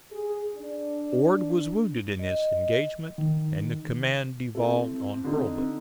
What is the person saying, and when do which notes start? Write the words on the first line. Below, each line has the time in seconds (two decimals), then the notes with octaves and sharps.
Ord was wounded in this engagement and the command devolved on Hurlbut.
0.12 G#4
0.55 D4
2.19 D#5
3.18 D#3
4.55 C4 E4 A4
5.24 D3 D#4